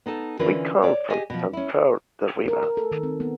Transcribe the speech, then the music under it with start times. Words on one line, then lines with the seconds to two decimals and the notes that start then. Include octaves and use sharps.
We come from Sant Pere de Ribes.
0.06 B3 D#4 A4 A5
0.39 D3 E3 C#4 F4 A#4 B4
0.82 C#5 D5
1.10 G4 G#4 D#5 G#5
1.30 B2 F3
1.53 C#4 E4
2.48 A#4
2.63 A#4
2.77 A4
2.91 D#3
3.03 C4
3.20 B3